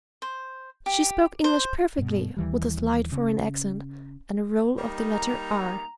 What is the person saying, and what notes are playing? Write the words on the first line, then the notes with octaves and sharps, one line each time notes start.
She spoke English perfectly, with a slight foreign accent and a roll of the letter "r."
C5
G4
C5
G2 B2
D#2 E3 G3
C#3
G3 A#3 D#4
A#5